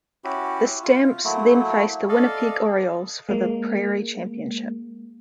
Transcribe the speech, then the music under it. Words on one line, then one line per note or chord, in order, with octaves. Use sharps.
The Stamps then faced the Winnipeg Orioles for the Prairie championship.
C#4 E4 F#4 G4
F4
F#3 A3 A#3 E4
A4 D5 D#5 F5
G#3 A#3